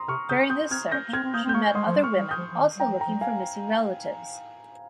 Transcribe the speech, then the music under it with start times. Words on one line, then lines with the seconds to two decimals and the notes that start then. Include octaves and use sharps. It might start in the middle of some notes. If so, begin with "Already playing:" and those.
During this search, she met other women also looking for missing relatives.
Already playing: A#5 C6 D#6
0.08 C3 C#6 F6
0.29 C#3 D#6 G6
0.50 C4 D#6 G6
0.71 C4 F6 G#6
0.91 C#4 G6 A#6
1.09 A#3
1.13 C4 F6 G#6
1.24 C4
1.34 A#3 D#6 G6
1.45 C4 G6
1.54 A#3 C#6 F6
1.75 G#3 C6 D#6
1.87 F3
1.96 G3
2.03 C#6 F6
2.17 G3
2.31 D#6 G6
2.38 F3
2.52 F3
2.59 D#3
2.76 G3 G5 A#5
2.86 F3
3.00 G5 A#5
3.07 F3
3.15 G3
3.21 F5 G#5